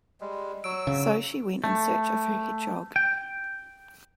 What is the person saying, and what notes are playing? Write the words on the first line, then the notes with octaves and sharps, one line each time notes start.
So she went in search of her hedgehog.
G3 G#3
F#3 C#6 E6 D7
C#3
A3
G5